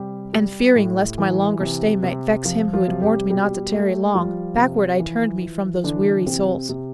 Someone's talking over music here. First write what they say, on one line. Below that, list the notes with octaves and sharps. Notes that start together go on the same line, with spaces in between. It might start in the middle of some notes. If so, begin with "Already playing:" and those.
And fearing lest my longer stay might vex Him who had warned me not to tarry long, Backward I turned me from those weary souls.
Already playing: C3 G3 G4
G3
A2
E3
C3
C3
F3 F4
F3 F4
C3
G3 G4
B2 G3 G4
A3
F3 G3 F4
C3
E3
E3
D3 E3 D4
C3 C4
C3